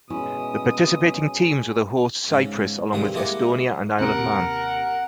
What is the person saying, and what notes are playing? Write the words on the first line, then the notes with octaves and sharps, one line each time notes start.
The participating teams were the hosts Cyprus along with Estonia and Isle of Man.
B2 G#3 C#4 E4 D#6
G#2 C#3
C2 G2 D#3 G#3 C4 D#6
G#3 A#3 E4 G4 D#5 F#5
D#2 C3 A#4 F#5 D7